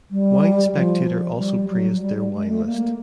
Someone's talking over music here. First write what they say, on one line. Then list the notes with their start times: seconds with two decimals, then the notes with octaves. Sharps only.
Wine Spectator also praised their wine list.
0.11 G3
0.75 F3
1.38 G3
1.69 F#3
2.02 G3
2.18 G3
2.33 G#3
2.48 A3
2.65 A#3